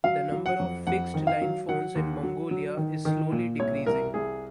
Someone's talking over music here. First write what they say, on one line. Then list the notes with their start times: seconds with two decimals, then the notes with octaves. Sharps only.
The number of fixed-line phones in Mongolia is slowly decreasing.
0.04 F#3 F5
0.32 F#3
0.46 F#5
0.59 F2
0.87 F2 F#5
1.14 D#3
1.27 F5
1.41 F#3
1.69 F#3 F#5
1.95 D#2
2.23 F#3
2.51 F#3
2.77 D#3
3.05 D#3
3.32 A#2
3.59 C2 C#5
3.86 C2 A#4
4.14 C2 G#4